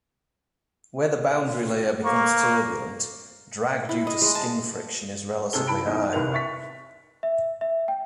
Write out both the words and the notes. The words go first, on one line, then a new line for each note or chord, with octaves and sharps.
Where the boundary layer becomes turbulent, drag due to skin friction is relatively high.
A#3 C#6
E4
D#5
G#3
A5
C3 G#4 A4 G7
E3 A5 B5 D7
E2 D#4
F1 C2 D#3 A#4 B4 F7
E5 C#6 A6 B6
E5
E5
G5